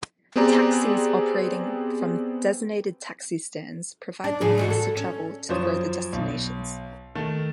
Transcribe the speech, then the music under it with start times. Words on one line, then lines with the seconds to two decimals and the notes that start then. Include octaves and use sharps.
Taxis operating from designated taxi stands provide the means to travel to further destinations.
0.36 B3 C4 G4 G#4 D5 A#5
4.24 D4
4.41 A2 C#3 G#4
4.58 G#2 E3 F#4
4.70 A4
4.97 C#4
5.49 F#2 F3 C5 C#5 D#6
6.13 B1
7.15 D#3 A3